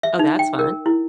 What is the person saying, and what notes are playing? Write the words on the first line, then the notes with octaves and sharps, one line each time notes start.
Oh, that's fun.
E5
D#4
G5
A#4
E4